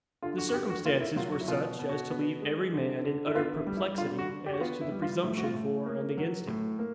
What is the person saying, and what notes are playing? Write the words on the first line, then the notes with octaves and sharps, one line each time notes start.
The circumstances were such as to leave every man in utter perplexity as to the presumption for and against him.
D3 F4
F#4
F#4
D3 G4
F#4
A#3 F4
E4
F#3 F4
F#4
E4
B2 F4
B2
F#4
B3
G#3
D3
D3
E4
B3 F4
E4
G3
E4
D3 F4
F#4
D3
G4
F#4
B3 F4
E4
G3
F4
A2 E4
F#4
F4
A2
A#3
F#3
A2
A#3